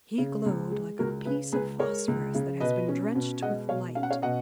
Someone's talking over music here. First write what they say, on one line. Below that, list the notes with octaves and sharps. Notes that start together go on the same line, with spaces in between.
He glowed like a piece of phosphorus that has been drenched with light.
C#3
C#2
G#3
C#2 F#4 A#4
C#3 G#4 B4
C#2 G#4 B4
G#3 A#4 C#5
C#2
C#3
B2 B4 D#5
C#4
B2
G#3 D#5 F#5
B2 C#5 F5
C#4 F5
F#5
C#5 F5
B2 D#5 F#5